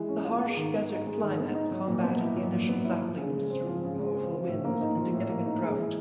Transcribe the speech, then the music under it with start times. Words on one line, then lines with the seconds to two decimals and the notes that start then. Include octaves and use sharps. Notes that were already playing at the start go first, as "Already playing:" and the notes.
The harsh desert climate combated the initial saplings through powerful winds and significant drought.
Already playing: E3 G#3
0.09 C#4
0.25 F4
0.41 G#3
0.57 D#3
0.73 B3
0.90 D#4
1.07 G#3
1.23 D#3
1.39 B3
1.55 D#4
1.71 F#3
1.88 A#2
2.04 B3
2.20 E4
2.36 F#3
2.53 A#2
2.69 B3
2.85 E4
3.02 F3
3.18 C#3
3.34 G#3
3.50 C4
3.67 F3
3.83 C#3
3.99 G#3
4.16 C4
4.32 F3
4.48 A2
4.65 A#3
4.81 D#4
4.97 F3
5.13 A2
5.29 A#3
5.46 D#4
5.62 G#3
5.78 E3